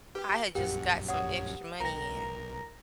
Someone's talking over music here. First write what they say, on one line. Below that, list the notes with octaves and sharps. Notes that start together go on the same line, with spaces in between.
I had just got some extra money in,
G4 B4
A#1 F#2 G4 A#4 F#5
C#5 F#5 D#6
B1 A#4 C#5 G5 A#5 A#6